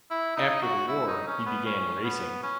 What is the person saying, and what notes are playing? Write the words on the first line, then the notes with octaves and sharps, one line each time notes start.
After the war, he began racing.
E4
D#4
F#4
E4
D#4
C#4
B3
C#4
B3
C#4